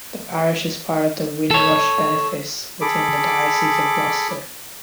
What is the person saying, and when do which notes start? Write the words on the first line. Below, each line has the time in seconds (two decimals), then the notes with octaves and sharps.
The parish is part of the Windrush benefice within the Diocese of Gloucester.
1.51 A4 C#5
2.81 G#4 A4 B5 D6